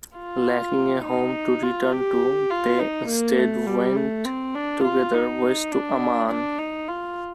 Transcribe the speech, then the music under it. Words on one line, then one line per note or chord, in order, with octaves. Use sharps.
Lacking a home to return to, they instead went together west to Aman.
F4
D#4
F4
G4
F4
D#4
A#3
A3
G3
A3
C4
D4
F4
D#4
D4
D4
D#4
F4